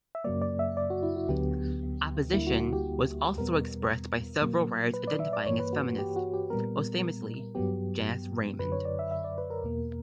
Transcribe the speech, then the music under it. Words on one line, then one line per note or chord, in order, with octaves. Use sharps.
Opposition was also expressed by several writers identifying as feminist, most famously Janice Raymond.
E5
F#2 C#3 F#3 A#3 D5
D5
E5
D5
F#4
E4
F#4
D2 D3 F#3 B3 G4
D2 D3 G3 A#3 E4
F#4
F#4
G4
E2 B2 G3 B3 A#4
A#2 F#3 A#3
B4
D5
E5
D5
G2 E3 A#3 C#5
B4
F#4
F#4
G4
F#4
G4
A#2 G3 B3 A#4
G2 F#3 B3 G4
F#2 D3 F#3 B4
C#5
D5
E5
E5
D5
B4
A#4
E2 B2 A#3